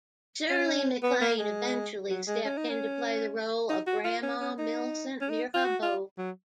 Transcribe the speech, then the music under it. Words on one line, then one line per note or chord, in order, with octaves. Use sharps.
Shirley MacLaine eventually stepped in to play the role of "Grandma Millicent Mirabeau".
C#4
B3
A#3
G#3
F#3
G#3
C#4
D#4
C#4
D#4
F#4
F4
C#4
C#4
D#4
C#4
D#4
F4
F#4
F4
F#3